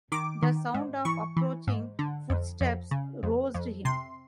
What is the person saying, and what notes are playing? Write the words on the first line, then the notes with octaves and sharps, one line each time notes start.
The sound of approaching footsteps roused him.
D#3 D6
D#3
G#2
E3 C#6
E3
G#2
D3
F2
F2
C#3
F2
F2
C3 C6